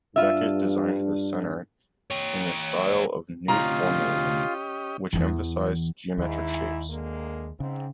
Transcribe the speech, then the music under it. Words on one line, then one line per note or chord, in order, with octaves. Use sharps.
Becket designed the center in the style of New Formalism, which emphasized geometric shapes.
G2 D4 F4 E5
G4 C#5
D2 C3 C#4 F4 G4 D#5 A#5
E2 E3
D#2 G#2 E4
D2 G#3 A#3
G#2 C#3 C4